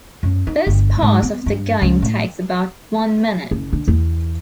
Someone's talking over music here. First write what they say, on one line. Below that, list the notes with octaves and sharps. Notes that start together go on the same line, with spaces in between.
This part of the game takes about one minute.
F#2
D#4
G1
G#2
B3
G2
C#2
A2
F#1
D3
E2